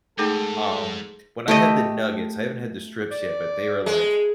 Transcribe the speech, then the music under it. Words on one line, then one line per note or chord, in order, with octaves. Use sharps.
Um, when I had the nuggets, I haven't had the strips yet, but they were like,
G#2 A3 D#4 G#4 A4 G5
A3 G4 D#5
D5
G#3